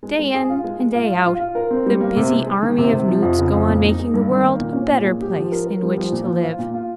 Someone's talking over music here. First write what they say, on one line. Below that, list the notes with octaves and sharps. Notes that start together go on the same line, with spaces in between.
Day in and day out, the busy army of newts go on making the world a better place in which to live.
G#3
G#3
G#4
F4
G#3
G#3
F4
F4
F4
F4
A#4
C4
G3
A#3
C3
G#3
G#3
D#3
C3
C3
F3
F2
C#3
F2
A#2
D#4
G#3
G2
D#3
A#3
A#2
C#4
A#2
G#3
G4
F3
A#4
A#4
G3
F3
A#2
F3
F4
A#2
F4